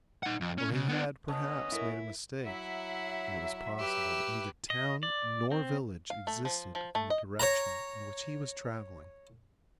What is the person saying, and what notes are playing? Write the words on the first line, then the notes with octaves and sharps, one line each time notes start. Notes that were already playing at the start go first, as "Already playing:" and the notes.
Or he had, perhaps, made a mistake, and it was possible that neither town nor village existed in the direction in which he was travelling.
D#4 F#5
F2
C#4
C#2 C#3
B3 D4
D2 B3 C#4 D#5 A5 D#6
E4 A4 A#4 E5
F#3 E4 E5 F#5
G4 B4 E6
D#5
D5
C4
F5
A3
F3
F3
A3
D#5
C#5 A#5